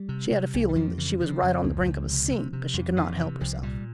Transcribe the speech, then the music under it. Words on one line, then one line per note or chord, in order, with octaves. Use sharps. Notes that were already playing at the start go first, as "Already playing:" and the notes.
She had a feeling that she was right on the brink of a "scene," but she could not help herself.
Already playing: G3
C3
C3
C2
G3
F2 F3
C#3 E3
C#3 F3
F2
C#2
C#2
C3
C3
C3
F2
F2 E3
C3
C2 F3
A#2 G3